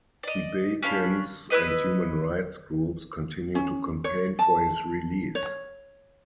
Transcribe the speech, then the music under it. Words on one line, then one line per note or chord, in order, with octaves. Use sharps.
Tibetans and human rights groups continue to campaign for his release.
D5 D#5
C#4 D4 F5 B5
E4 G4 B4 D#5
C#4
C#5
A5
C#5